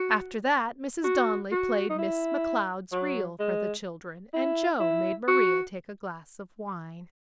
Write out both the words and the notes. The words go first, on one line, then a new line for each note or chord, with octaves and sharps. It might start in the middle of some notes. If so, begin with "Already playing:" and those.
After that Mrs. Donnelly played Miss McCloud's Reel for the children and Joe made Maria take a glass of wine.
Already playing: F#4
F#4
F#4
D#4
E4
F#3
G#3
E4
E4
F#4